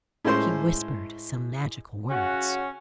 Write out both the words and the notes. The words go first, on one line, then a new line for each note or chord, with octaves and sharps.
She whispered some magical words.
A2 G#3 C#4 C5 C6
C#3 C#4 F#4